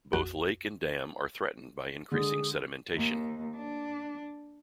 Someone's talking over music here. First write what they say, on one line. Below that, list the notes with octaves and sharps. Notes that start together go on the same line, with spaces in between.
Both lake and dam are threatened by increasing sedimentation.
A#1 F2 F#4
D3 G#3 G#4
D#2
D4